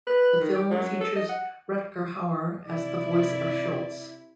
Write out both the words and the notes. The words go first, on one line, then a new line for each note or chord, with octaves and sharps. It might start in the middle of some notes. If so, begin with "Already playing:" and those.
The film features Rutger Hauer as the voice of Schultz.
B4
D#3
G4
F#3
A4
D#5
F#5
C3 E4 D5